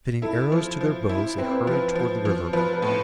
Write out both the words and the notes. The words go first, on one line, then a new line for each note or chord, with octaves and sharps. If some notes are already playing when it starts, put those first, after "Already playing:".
Fitting arrows to their bows they hurried toward the river.
E4 A4
F3
F3
E4
C4 B4
C5
B4
F3 B4
F3
F3
F3 B4
B4
A2